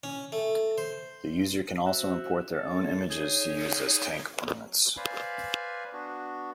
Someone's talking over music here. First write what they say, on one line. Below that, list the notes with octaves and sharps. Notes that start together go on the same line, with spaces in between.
The user can also import their own images to use as tank ornaments.
C#4
A3
C5
F#4 C5 E5
A4 C#5
D#4 G#4 C#5
F#3
B4 C5 D5 F5 G#5 B5
B3 D4 F#4